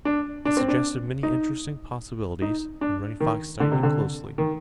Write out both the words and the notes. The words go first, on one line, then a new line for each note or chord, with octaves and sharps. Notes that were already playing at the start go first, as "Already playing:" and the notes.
It suggested many interesting possibilities, and Running Fox studied it closely.
D4
D4
C4
D4
D#4
D#4
D4
D#3
D3
C3
D3
D#3